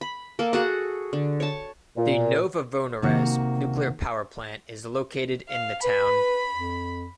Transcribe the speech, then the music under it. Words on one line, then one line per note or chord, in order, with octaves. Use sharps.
The Novovoronezh Nuclear Power Plant is located in the town.
B5
A#3 A4
F#4 G#4 A4 F#5
D3
C#5 A5
A#2
C3 D#3 A#3 F#4
F5
B4 B5
F2